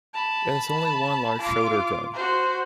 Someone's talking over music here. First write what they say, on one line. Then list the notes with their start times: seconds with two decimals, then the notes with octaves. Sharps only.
It has only one large shoulder drone.
0.14 A5 B5
1.42 F4 D6
2.14 F#4 C5